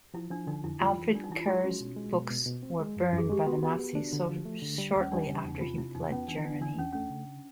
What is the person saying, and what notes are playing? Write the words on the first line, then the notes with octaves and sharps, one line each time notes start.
Alfred Kerr's books were burned by the Nazis shortly after he fled Germany.
F3 E4
F3 D4
D3 D#4
F2 E4
G3 F4
E3
G3 D4
D#4
E3 E4
F4
G#3 F#4
C#4
B2
G#3
B2
B2
B2
C4
G#3
F#2
F#2 G#4
G#3 G4
B3 F#4
B3
B3
D4
D3
F3
A3
D3
G3
D#2 C#4
G3 D4
C#3
E2 D#4
C3 F4
C3 E4
E2 D#4
B3 C#4
E3 D4
B3 D4
E3 D4
E2 C#4
A3 C#4
C#3